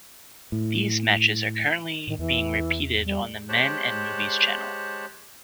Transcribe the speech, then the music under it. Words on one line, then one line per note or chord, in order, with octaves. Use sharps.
These matches are currently being repeated on the Men and Movies channel.
A2
A2 D#3
E2 E3
G3
G#3 G4 C5 C#5 A5 F#6